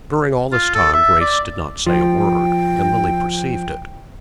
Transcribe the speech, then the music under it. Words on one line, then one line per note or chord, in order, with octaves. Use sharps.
But during all this time Grace did not say a word, and Lily perceived it.
F4
A4
E5
D5
F3 G5